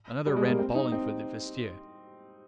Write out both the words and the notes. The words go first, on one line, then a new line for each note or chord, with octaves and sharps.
Another ran bawling for the vestiaire.
G3
G#3
A#3
C4
D#4
C4